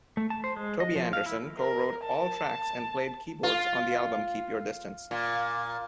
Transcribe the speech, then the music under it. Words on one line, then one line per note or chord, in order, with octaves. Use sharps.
Toby Anderson co-wrote all tracks and played keyboards on the album "Keep Your Distance".
A3
A5
C5
G#3
D#5
F3
F5
E4
A#4
A5
F4
A#2